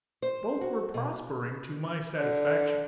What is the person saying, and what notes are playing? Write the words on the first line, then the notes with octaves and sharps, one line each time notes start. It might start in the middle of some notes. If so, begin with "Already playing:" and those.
Both were prospering to my satisfaction.
C5
F#4
B2
D3